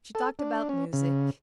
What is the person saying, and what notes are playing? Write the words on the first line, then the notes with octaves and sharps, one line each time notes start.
She talked about music.
A4
D4
C#4
C#3